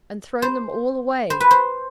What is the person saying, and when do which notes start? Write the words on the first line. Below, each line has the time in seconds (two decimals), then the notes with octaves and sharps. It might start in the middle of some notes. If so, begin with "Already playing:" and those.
'And thrown them all away.
0.42 C5
1.30 C5
1.40 B4
1.51 C5